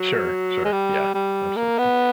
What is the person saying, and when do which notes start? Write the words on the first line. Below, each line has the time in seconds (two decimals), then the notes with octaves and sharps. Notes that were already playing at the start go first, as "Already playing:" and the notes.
Sure, sure, yeah, absolutely.
Already playing: F#3
0.65 G#3
0.72 G3
1.14 G3
1.56 A#3
1.79 B3